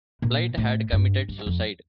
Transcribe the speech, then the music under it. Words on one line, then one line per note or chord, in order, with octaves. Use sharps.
Blight had committed suicide.
A#2
A2
G2
G2
F2